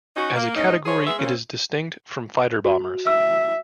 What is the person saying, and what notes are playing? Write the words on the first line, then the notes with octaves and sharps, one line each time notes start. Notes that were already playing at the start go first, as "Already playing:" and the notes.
As a category, it is distinct from fighter-bombers.
C#4 D#4 F#4
A#3
A2 C#4 D#4
F3 G#4 C#5
G#3 B3 G#4 E5
A#2 C#3 C4 C#4
F#4
E5 E6